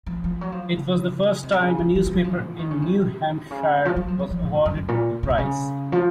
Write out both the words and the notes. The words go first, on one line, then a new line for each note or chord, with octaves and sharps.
It was the first time a newspaper in New Hampshire was awarded the prize.
F3
F3
F#3
F3
C#3
C3
C#3
F3
F3
F3
F#3
F3
A2
F3
D#3
C#3
C3
C#3
F3
F#3
F3
F#3
F3
A2
F#2
F#2
F#2
A#2
C#3
C3
C#3
F3